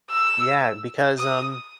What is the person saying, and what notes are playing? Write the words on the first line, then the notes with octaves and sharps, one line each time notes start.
Yeah, because, um
E6
D#6